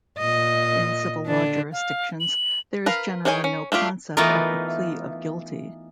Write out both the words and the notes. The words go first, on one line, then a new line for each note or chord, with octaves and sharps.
In civil law jurisdictions, there is generally no concept of a plea of guilty.
A#2 D#5
D3 D4
F5
F#7
A#4 B4 F5
D#3 G#4 C#5 G5 G#5
C#4
A3 D4 F4 G4
E3 A3 B3 D#4 F4 A#4